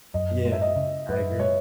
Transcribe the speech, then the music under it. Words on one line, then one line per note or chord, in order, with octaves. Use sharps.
Yeah, I agree.
F#2 D#5
G#3
E5
D#5
C#3
F#2 B4
G#3 C#5